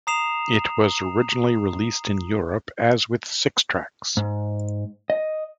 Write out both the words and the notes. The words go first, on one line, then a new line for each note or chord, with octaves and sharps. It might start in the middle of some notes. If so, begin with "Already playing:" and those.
It was originally released in Europe as with six-tracks.
A#5 D#6 C7 E7 F7
G#2
D#5